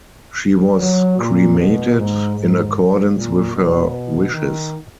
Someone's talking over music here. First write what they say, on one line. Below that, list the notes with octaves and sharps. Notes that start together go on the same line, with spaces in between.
She was cremated in accordance with her wishes.
F#3
A#2
B2
G#2
G#2
A#2
B2
D#3